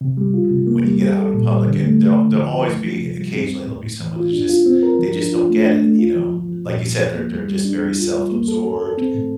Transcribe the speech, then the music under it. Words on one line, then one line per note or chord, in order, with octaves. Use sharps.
When you get out in the public and they'll they'll always be e occasionally, there'll be someone that's just they just don't get it, you know? Like you said, they're they're just very self-absorbed
C3
G3
F4
C3
A#3
G3
G3
A4
A#2
G3
D3
A3
A3
D3
F3
F3
A3
F3
C3
G3
C4
C4
A2
A2
E3
F4
D4
F4
C4
A#4
F3
D4
F4
A3
D4
A3
F4
F3
F3
F3
A#2
A#2
F3
A#3
G3
G3
D4
G3
F4
G3
A#3
A4
A4
A4
C4
A2